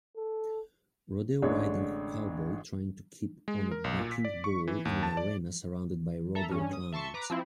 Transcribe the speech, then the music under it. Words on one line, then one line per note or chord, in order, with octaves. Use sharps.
Rodeo riding cowboy trying to keep on a bucking bull in an arena surrounded by rodeo clowns.
A4
A1 D3 G#3 D4 C#5
G#3
A#4
B1
A#2
B6
D5
C#6
E3
D#2
A5
D5
A4 E5 A#5
G2 C#4
D#6
E5 A5 C6 C#6 C#7
B4 A#5 D6
F3 C4 E4